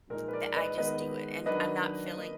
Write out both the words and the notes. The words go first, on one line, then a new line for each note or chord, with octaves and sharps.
th the I just do it and I'm not feeling
A#2 F3 G#3 D#4 A#4
B4
A#4 D5
B4 D#5
D#3 G#3 B3 B4 D#5
D#3 F#3 D4 B4 D#5
D#3 A#3 D#4